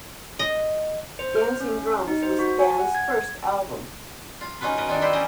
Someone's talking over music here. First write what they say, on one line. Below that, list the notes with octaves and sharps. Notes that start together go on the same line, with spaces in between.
Dancing Drums was the band's first album.
D#5
C5
F6
C#4
D#4
C5
F#4
G#5
F#5
G#6
F4
C#4 D#4 F4 F#4 B4
A#4 B4 D#5
D#3 C4 D4 D#4
G3 E4 G4 B4 C5
E3 A#3 C#4 G4 D#5